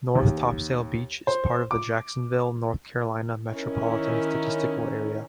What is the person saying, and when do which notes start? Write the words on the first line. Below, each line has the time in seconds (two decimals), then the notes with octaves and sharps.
North Topsail Beach is part of the Jacksonville, North Carolina Metropolitan Statistical Area.
0.15 D#2
1.27 C5
1.71 D6
3.52 D#3 C#4 E4 A#4